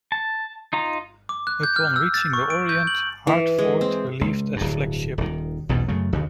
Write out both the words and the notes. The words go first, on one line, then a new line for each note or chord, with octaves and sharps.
Upon reaching the Orient, "Hartford" relieved as flagship.
A5
D#4 F4 A#5
D6
F#6
G6
F6
E6
A6
C#6
D7
G6
F#7
E3
G#3
C4
C#2
D1 G2
D#1 D#3
B1 E2 G#2 B2
F#2 C#3 A3
D2 C#3